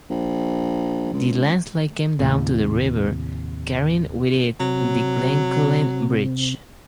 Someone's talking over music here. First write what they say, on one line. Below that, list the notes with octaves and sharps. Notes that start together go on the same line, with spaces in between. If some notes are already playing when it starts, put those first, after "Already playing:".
The landslide came down the river carrying with it the Glencullen Bridge.
A#1
C#2
D#2 A2 C3
C3 F#3